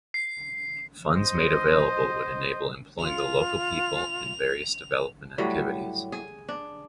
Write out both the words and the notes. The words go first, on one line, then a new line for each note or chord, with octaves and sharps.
Funds made available would enable employing the local people in various development activities.
C7
C5 D#5
F4 F7
A2 F#3 G3
G#4
D4